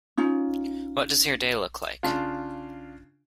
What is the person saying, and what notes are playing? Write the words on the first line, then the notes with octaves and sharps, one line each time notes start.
What does your day look like?
C#4 D#4 F4
C#3 D4 F4